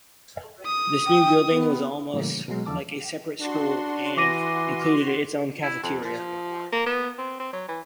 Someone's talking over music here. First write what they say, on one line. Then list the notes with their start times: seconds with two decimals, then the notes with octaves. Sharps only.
This new building was almost like a separate school and included its own cafeteria.
0.66 D#6
1.05 G5
1.49 B3
2.14 A2 C#3 E3 G3 A#3
2.48 B2 F#3 G#3
2.66 E2 D3 F3 A5 D6
3.41 D4 F#4 C6
4.17 E3 D6 A#6 D#7
5.63 E4
5.83 F2
6.05 F3
6.72 A#3
6.86 B3
7.18 C4
7.40 C4
7.53 F#3
7.68 E3